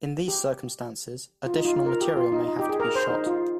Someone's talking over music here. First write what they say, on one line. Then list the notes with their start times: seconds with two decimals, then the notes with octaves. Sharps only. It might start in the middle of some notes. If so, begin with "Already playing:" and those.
In these circumstances, additional material may have to be shot.
0.28 G4
1.46 F4
1.54 D#4
1.65 F4
1.75 F4
1.86 A#4
2.01 G4
2.17 F4
2.32 D#4
2.48 D#4
2.59 G4
2.69 G#4
2.80 A#4
2.95 C5
3.10 D#4
3.27 F4